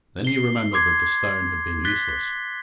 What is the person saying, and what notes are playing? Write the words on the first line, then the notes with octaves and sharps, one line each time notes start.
Then he remembered that the stone had been useless.
C7 G7
C6 D6 G#6 C7
F#6 A6 B6 G7